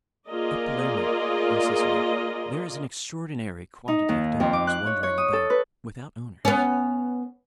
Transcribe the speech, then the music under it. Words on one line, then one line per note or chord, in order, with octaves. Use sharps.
At Palermo, in Sicily, there is an extraordinary quantity of dogs wandering about without owners.
A#3 F4 G#4 A#4 D5 D#5
D#4
D#2
F2
D6
F#6
C#5
C#5
D#6
A4
B4
B3 C#4